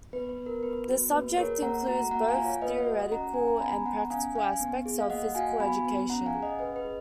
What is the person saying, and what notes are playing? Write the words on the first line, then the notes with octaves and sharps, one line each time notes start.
This subject includes both theoretical and practical aspects of Physical Education.
B3 B4
B4
B3
A#4
B3 B4
F#4
A#3 B4
G#4 A#4 C#5
A#3 F#5 A#5
F#4 F#5 A#5
A#3 F#5 A#5
F5 G#5
F4
C#5 F5
A#3 B4 D#5
D#5 F#5
F#4
C#4 F#5 A#5
C#4 G#5
A#5
B3 G#5 B5
B3 F#5 A#5
C#4 F5 G#5
C#4 F5 G#5
B3
G#4
F5
A#3 D#5 F#5
F#5
F#4 F5 G#5
B3 G#5 B5
B3
C#4 F#5 A#5
F5 G#5
G#4
D#5 F#5
C#4 B4 D#5
B4
G#4